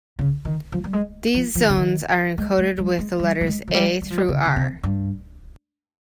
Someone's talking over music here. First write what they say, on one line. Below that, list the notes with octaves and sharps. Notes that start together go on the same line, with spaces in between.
These zones are encoded with the letters "A" through "R".
C#3
D#3
F3
G3
G#3
F3
F3
D#3
C#3
D#3
G#3
G#3
G3
G#3
G3
G3
G#3
F3
G3
G3
F3
G3
C#3
C#3
C3
G2